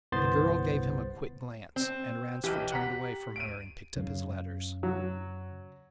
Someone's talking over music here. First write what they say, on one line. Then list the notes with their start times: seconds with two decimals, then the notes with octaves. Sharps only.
The girl gave him a quick glance, and Ransford turned away from her and picked up his letters.
0.12 G1 C2 B3 C5 C6 A6
1.76 C4
2.44 B1 E3 G4
2.72 F#5 A#5 B6
3.36 D7 D#7
3.96 F#2 C#3
4.83 F#3